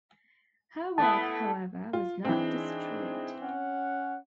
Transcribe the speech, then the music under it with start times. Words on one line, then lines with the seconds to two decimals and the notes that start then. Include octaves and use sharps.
Her work however was not destroyed.
0.98 A3 B3 E4 A5
1.93 F4
2.25 E3 C4 D4 D#4 G#4
3.41 C#4 F#5